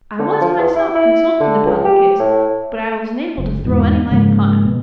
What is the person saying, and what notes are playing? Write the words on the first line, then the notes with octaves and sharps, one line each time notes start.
I was myself consulted upon the case, but I was unable to throw any light upon it.
D3
F3
E2
E4
E4
D3
C#2
G4
A2
F#1
E2 G#2 B2
G#2 C#3 F3 A#3
B2